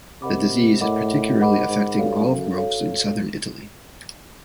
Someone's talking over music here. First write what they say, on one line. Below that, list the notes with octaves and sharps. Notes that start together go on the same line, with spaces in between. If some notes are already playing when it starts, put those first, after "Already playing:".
The disease is particularly affecting olive groves in Southern Italy.
C3 A#4 D#5 F#5 B5 D6
A2 A#4 D#5 F#5 B5 D6
G#2 A#4 D#5 F#5 B5 D6
G#2
G2 F#4 A4 C#5 F5
F#2
F#4 A4 C#5 F5